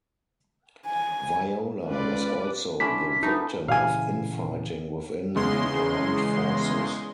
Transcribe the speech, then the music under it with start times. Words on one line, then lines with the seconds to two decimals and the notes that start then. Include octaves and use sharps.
Viola was also the victim of infighting within the armed forces.
0.87 G#5
1.89 C#2 F4 B4 D5
2.80 C#4 D4 E4 C5 B6
3.23 A3 B3 D#4 A4
3.68 A#2 C#3 E3 F5 G#5
5.35 E2 C#3 G#3 C6